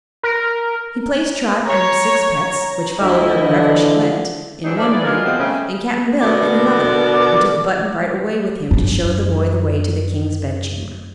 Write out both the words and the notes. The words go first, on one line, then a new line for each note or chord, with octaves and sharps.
He placed Trot and her six pets--which followed her wherever she went--in one room, and Cap'n Bill in another, and took Button-Bright away with him to show the boy the way to the King's bedchamber.
A#4
C#5 A#5
D2 E4 D#5
D3 E3 F3
E3 F#3 G#3 C4 D4 D#4
D4 A#4 C5 D5 E5
D#4 G#4 B4 D5
F#3 G#3 F4 A#4
B2 F3 G#3 C4
C#3 A3 C4
B2 D3 A#4 D5
F#2 D4